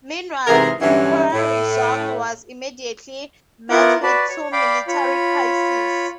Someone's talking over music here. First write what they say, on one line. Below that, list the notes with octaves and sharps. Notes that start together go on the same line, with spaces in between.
Meanwhile, Emperor Yizong was immediately met with two military crises.
G#2 C3 E3 G#4 A#4
G2 D3 E3 F#3 C#4 E4
A2
B3 E4 F4 A#4 F#5 D6
F#4 B4 D5 A5
C#5
D5 F5 G5 B5 D6
F4 C#5 B5